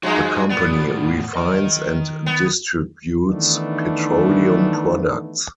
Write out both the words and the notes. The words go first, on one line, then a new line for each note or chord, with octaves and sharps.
The company refines and distributes petroleum products.
G2 F3 G#3 F#4
A2 B3 F4 D5
D#3 D#5
B3
D#3 E3 A3 B3 D4 D#4